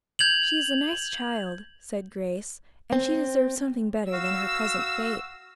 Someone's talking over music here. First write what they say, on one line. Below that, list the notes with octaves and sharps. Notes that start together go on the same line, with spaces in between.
"She is a nice child," said Grace, "and she deserves something better than her present fate."
G6 G#6 F7 F#7
C4
F#4 F5 E6